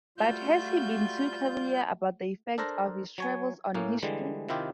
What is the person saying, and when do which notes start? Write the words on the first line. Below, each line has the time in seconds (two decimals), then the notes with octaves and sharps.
But has he been too cavalier about the effects of his travels on history?
0.18 G3 A3 F4 F#4 G6
2.58 D4 A4 A#4 C5 A#5
3.18 F#3 C#5 G#5
3.74 A2 A#3 C#4
4.03 D3 E3 G3 G#3
4.49 C3 D#3 E4 F4 G4